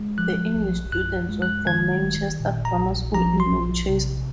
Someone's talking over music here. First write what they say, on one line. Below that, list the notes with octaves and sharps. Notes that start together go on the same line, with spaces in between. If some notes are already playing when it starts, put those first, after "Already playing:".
The English students were from Manchester Grammar School in Manchester.
Already playing: G#3
F3 F#6
A#1
F#2 F#6
G#3
F#6
D#3 G#6
G#1
A#2
A#5
A#1
F3 A#5
C6
A#1
C3